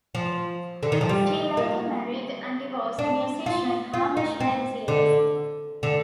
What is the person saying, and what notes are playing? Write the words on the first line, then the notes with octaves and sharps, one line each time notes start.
She later married and divorced musician Hamish Menzies.
F3
D3
D#3
F3
G3
A#3
D4
F4
F4
D#4
C4
D3
D3